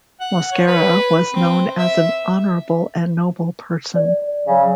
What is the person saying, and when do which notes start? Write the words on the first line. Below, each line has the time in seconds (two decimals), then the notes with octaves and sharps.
Mosquera was known as an honorable and noble person.
0.20 F#5
0.52 C#5
0.67 B4
1.34 C4
1.78 E5
3.96 D5
4.47 C#3 F#3